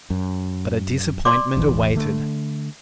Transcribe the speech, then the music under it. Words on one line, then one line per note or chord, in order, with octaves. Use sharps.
But a disappointment awaited.
F#2
D5 C6 D6
E1 A1 E3
D3 A3